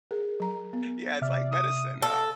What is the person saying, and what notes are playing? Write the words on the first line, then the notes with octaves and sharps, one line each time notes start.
Yeah, it's like medicine, huh?
G#4 A#4
F#3 A#5
B3
C3 D5 E5 F6
D#6
A4 D#5 F5